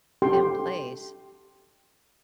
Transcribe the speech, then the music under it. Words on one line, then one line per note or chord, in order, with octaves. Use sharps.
in place
G4 A4 G5 C6